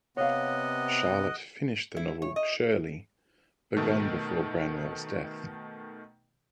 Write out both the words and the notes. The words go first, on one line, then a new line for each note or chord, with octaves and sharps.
Charlotte finished the novel "Shirley", begun before Branwell's death.
C3 B3 C#5 D#5 F5 F#5
E4
C#5
D#5
B2 D#3 A3